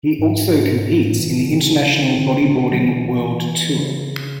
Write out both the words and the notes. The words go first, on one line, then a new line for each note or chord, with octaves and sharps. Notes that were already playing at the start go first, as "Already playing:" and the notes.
He also competes in the international bodyboarding World Tour.
G#2
A2
E3
E3
D3
C#3
D3
D3
D3
D3
F#3
E3
E3
C#3